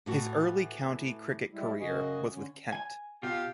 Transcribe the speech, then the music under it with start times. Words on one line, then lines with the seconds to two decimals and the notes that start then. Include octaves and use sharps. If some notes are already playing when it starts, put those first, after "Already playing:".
His early county cricket career was with Kent.
0.06 A2 E3 F#4
1.53 G3 G#3 E4
1.80 F#2 C#3 F#4 D#5 G#5
2.32 D3 C#4
2.72 G#5
3.23 B2 F4 G4 F5